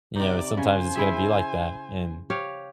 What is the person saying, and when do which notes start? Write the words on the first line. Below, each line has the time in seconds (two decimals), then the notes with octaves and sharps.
you know, sometimes it's gonna be like that and
0.16 C3 D#4 D5 D6
0.57 C#3 C5 G#5
0.95 E4 G#4 E5
2.30 G4 C#5 F5